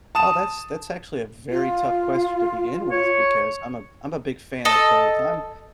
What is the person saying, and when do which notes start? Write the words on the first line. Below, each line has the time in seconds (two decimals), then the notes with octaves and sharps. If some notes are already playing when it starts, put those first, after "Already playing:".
Oh, that's that's actually a very tough question to begin with because I'm a I'm a big fan of both. I'm
0.15 A5 D#6 E7
1.50 F4
2.91 C#5
4.65 A4 D#5